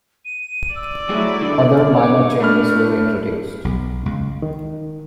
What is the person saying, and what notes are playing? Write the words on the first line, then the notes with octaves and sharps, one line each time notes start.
Other minor changes were introduced.
D#7
D5 E6
F#3 G3 A3 E4 G#4 A4
G2 D3 D#3
C#5 D6
A3 D4 B5 F6
B1
C#2
D#3